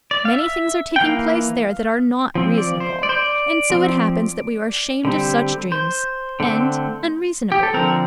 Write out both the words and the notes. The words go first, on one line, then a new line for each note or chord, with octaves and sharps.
Many things are taking place there that are not reasonable, and so it happens that we are ashamed of such dreams, and unreasonably.
D5
F5
E5
G5
E3 A#3 F5
F3 C4
D5
C5
D5
C5
D5
F3 C4
D3 G3 C4
C5
D3 A3 C4
G4
A4
D3 F3 C4 A#4